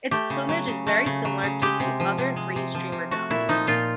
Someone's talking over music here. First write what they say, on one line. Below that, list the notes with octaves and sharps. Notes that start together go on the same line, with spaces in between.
Its plumage is very similar to the other three steamer ducks.
A3 G4
C#3
F#3
C#3
A3
C#3
F#3
C#3
G#3 G4
C3
F3
C3
G#3
C3
F3
C3
A3 F#4
A#2 E4
F3 D#4
A#2 F4